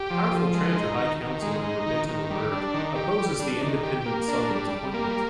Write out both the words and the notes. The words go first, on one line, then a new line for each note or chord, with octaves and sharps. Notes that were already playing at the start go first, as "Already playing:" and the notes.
Powerful Trantor High Council member Betan Lamurk opposes the independent Seldon's appointment.
Already playing: G4
F3
F3
G#3
D#4
D#3
D#3
G#3
D#4
D#3
D#3
G3
D4
D#3
G4
G3
D4
D#3
G4
A#3
D4
G3
G3
A#3